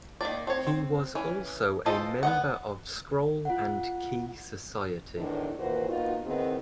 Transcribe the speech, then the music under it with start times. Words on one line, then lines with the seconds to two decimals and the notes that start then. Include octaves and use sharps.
He was also a member of Scroll and Key Society.
0.21 D#3 F#3 A#3 D5
0.47 C4 C#5
0.67 C4
1.15 E3 C#4
1.86 E3 F4 A4 C5 D#5
2.23 B3 D#5 F#5
3.45 F4 F#5
5.16 E2 A2 D#3 B3 D4 E4
5.59 D#2 A#2 E3 F#4 B4 C5
5.88 A#3 B3 D#4 F4 F#4
6.26 D#3 B3 C4 D#4 E4 G#4